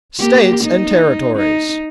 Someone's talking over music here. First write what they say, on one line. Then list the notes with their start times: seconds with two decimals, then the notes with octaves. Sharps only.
States and Territories.
0.20 A#3 G4
0.64 D#4
1.36 D#4